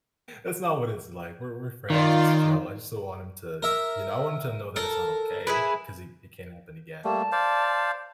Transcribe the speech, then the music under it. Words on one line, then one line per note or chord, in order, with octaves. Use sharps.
that's not what it's like, we're we're friends, it's chill, I just don't want him to, you know, I want him to know that it's not okay, 'cause it it can't happen again,
D#3 F4 D5
A#4 E5
A4 A#4
E4 G#4 B4
G3 A3 A#3 A5
C5 D5 F5